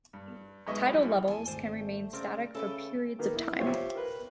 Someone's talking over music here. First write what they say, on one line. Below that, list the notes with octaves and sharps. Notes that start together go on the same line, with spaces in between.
Tidal levels can remain static for periods of time.
G2
B1 G#3 B3 D#5 E5 C#6
F#2 E3 G3
E2 G#5 A5
G#1 A3 C4 C5 D5
C#3 C4 A#4 D5
C#3 A3 C#4 A4 B4 G5
D#3 A#3 B3 D#4
E4
F4 G4 C5 C#5 E5
A#4 B4